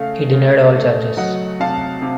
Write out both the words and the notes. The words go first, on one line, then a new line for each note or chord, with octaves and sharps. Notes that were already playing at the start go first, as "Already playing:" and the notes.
He denied all charges.
Already playing: C#3 A3 F5
C#3
A3
F#3 D#5 F#5
C3 F5 A5
C3